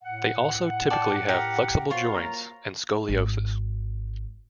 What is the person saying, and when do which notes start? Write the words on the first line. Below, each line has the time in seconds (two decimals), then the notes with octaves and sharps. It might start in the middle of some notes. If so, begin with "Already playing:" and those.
They also typically have flexible joints and scoliosis.
0.04 A2 F#5
0.90 D5 G5 A5
1.29 G4 A#4
1.90 F4 F#4 C5 C#5 F5
2.15 A#3 A#4 A#5
3.09 G#1